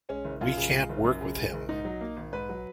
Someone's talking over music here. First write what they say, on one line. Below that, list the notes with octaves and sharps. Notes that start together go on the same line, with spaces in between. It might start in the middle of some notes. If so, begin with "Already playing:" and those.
We can't work with him.
G#3 C#4
F#1
F#2 F4
C#3
G#3
F#1
F#2
C#3
G#3
F#1
G#2 D#4
F#3
A#3
G#1
G#2 B4
F#3